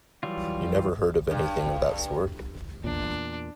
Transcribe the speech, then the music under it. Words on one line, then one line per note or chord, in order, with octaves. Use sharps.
You never heard of anything of that sort?
E3 F#3 G3 F4
G2
E2 A#2 D4